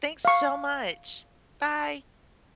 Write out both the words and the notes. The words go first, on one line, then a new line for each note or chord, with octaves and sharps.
thanks so much. Bye.
F5 C#6